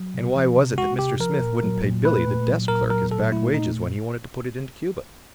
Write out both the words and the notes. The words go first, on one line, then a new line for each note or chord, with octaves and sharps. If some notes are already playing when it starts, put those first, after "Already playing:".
And why was it that Mr. Smith wouldn't pay Billy, the desk clerk, his back wages when he wanted to put it into Cuba?
Already playing: F#3
C3
F3
C3
G#3 F#4
C3 G4
F3 A#4
A#2
F#3
A#2
A3 B4
A#2
F#3
A#2 A#4
F#3 A#4
A#2 A4
A3 E4
A#2 D#4